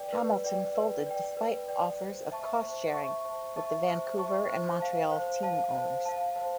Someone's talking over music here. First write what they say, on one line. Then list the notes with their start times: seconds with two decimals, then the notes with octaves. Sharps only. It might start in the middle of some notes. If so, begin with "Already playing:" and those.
Hamilton folded despite offers of cost sharing with the Vancouver and Montreal team owners.
Already playing: B4 D5 G5
0.13 B4
0.44 D5 G5
0.75 B4
1.06 D5 G5
1.37 B4
1.68 D5 G5
2.00 C5
2.31 E5 A5 C#6
2.63 C5
2.93 E5 A5 C#6
3.25 C5
3.56 E5 A5 C#6
3.87 C5
4.18 E5 A5 C#6
4.49 C5
4.80 F5 A5
5.12 C5
5.43 F5 A5
5.75 C5
6.05 F5 A5
6.36 C5